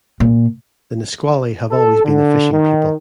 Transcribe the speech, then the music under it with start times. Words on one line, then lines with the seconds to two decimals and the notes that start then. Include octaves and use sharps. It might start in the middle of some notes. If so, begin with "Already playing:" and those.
The Nisqually have always been a fishing people.
0.20 A#2
1.71 A4
2.05 D3
2.52 D#3